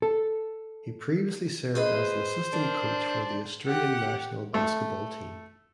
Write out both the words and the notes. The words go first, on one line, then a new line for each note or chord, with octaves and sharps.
He previously served as an assistant coach for the Australian national basketball team.
A4
G#4 B4 C5 D#5
D4 A#4
G4 F#5
A3